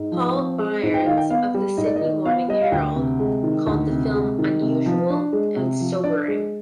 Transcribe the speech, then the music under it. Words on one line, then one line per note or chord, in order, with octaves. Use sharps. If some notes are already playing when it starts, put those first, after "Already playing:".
Paul Byrnes of "The Sydney Morning Herald" called the film "unusual" and "sobering".
Already playing: G#2
F3
C4
G#3
G#2
G5
D#3 F5
G5
B3 F5
G3
G#2 D#5
D5
D#5
D#3
B3 F5
G3 D#5
F5
D2 G5
C3
G#3
D#3
D2
C3
G#3
D#3
C3
F3
D4
G#3
C3
F3
D4 D5
G#3